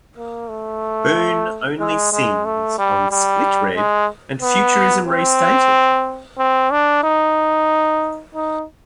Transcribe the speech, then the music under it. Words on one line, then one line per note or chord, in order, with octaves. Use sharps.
Boon only sings on "Split Red" and "Futurism Restated".
A#3
A3
G#3
G#3
A3
G3
G3
G#3
B3
C4
C4
D4
D#4
D#4